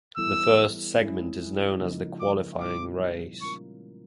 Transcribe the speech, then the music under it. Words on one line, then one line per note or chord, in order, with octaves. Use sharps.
The first segment is known as the Qualifying Race.
E3 G3 B3 E4 A4 E6
G#3 C#4 E4 G#4
C#3 F3 A#3 D#4
D6
A#2 G3 B3 E4 D6
F3 G#3 C#4 F4 A#4 C#6